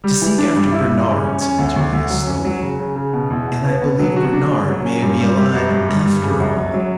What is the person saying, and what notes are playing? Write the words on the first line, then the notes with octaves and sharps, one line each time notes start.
"To seek after Bernard," said Julius, slowly, "and I believe Bernard may be alive after all."
G3
E3
D4
G2
E4
G2
C#3
C#4
C#4
D2
D2
D2
F#3
C#4
F#3
C#3
C#3
C#3
B2
E2
B2
B3
B2
F#3
F#4
D4
C#3
F#3
C#4
G2
G3
G3
F#2
G2
G2
G2
C#3
F#2
F#2
F#3